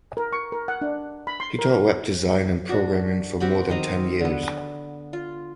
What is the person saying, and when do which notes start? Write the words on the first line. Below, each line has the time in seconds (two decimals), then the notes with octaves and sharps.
He taught Web design and programming for more than ten years.
0.17 A#4
0.33 C#6
0.52 A#4
0.68 F#5
0.81 D4
1.27 B5
1.40 C6
1.59 A#4
2.69 D4 F#4
3.40 C4 F#4 G4 B5
3.69 D#3 C4 D#5 A#5
4.21 D3 B3
5.13 F4